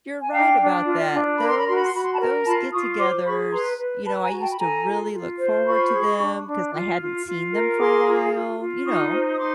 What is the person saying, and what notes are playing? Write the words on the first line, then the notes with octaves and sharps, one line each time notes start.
You're right about that. Those those get-togethers, you know, I used to really look forward to them, 'cause I hadn't seen them for a while, you know?
G#5
D4 F5 G5
D4
F4
D4
A#4 B5
C6
B5
F#4 C6
B5
C6
F#4 B5
C6
A5 B5
A#4
F4 A5 B5
F4 C#6 D#6
C5 C6 D6
G#4 B5 C#6
B4 A#5 C6
B4
B4 A5 B5
G#5 A#5
F#4
G5 A5
B5
A4 G#5 A#5
F4
F4
C5
F4 B5 C#6
G#4
D4
D4
F4
F4
F4
A#4
G#4 C6 D6
F4
F4
F4
D#4 C#6 D#6
C5
D#6
D#4 C6 D6